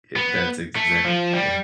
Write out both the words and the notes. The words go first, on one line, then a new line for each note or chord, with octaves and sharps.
It that's exactly Yeah.
B3
A3
F3
G3